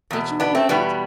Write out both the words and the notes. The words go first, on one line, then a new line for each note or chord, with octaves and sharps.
"Did you indeed?"
E2 B2
B3 D4
A3 C4
E2 B2 G3 B3